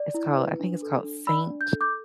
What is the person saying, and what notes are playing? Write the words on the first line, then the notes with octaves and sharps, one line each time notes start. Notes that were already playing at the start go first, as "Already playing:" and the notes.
it's called I think it's called Saint
Already playing: D5
E4
B4
D4
A4
D4
D5 B5 E6
D4
G6
A4
D6 G6